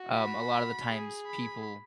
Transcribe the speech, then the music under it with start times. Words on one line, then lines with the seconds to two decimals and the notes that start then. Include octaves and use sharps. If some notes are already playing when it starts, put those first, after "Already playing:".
um, a lot of the times, people
Already playing: F#4
0.15 B5
0.89 G#4
1.27 B5